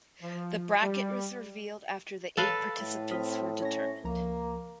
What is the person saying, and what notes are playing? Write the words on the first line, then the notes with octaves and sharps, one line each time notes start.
The bracket was revealed after the eight participants were determined.
F3
G3
A4 B4 C#5 F5
A2
C4 D#6 F6 B6
C#4 C#5 A#6
C#2 F3 A#3 A#5